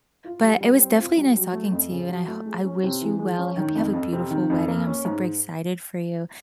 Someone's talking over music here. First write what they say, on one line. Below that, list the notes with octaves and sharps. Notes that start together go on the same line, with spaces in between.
But it was definitely nice talking to you, and I ho I wish you well. I hope you have a beautiful wedding. I'm super excited for you.
F4
G3
G3
C4
F4
G3
F#3
A3
F2
C#3
F#3
A3
G#3
C#4
C3
E3
G#3
C#4
D#3
F2
F2
C3
D#3
F2
A#3
C#4
G#2